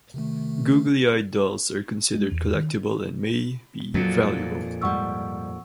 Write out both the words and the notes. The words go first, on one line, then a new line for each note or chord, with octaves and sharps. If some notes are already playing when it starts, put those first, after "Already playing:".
Googly eyed dolls are considered collectible and may be valuable.
C3 D#3 A3
G#3
E2
D#3
F2 A#2 F#3
G#2 G3 F#5 C#6 E6